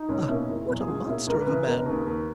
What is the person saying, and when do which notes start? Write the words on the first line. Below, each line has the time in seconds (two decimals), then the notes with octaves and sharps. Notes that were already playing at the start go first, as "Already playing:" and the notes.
Ah! what a monster of a man!
Already playing: D#4
0.09 C#2 C#4
0.28 B2 A#3 C#4 E4
0.48 F#1 E4
0.68 E2 B2 F#3
0.81 G#4
0.88 C#2 F#4
1.07 B2 A#3 C#4 E4
1.27 C#2 A#4
1.41 B4
1.47 C#3 E3
1.67 E1 A#4
1.86 D#2 C#3
2.06 D#2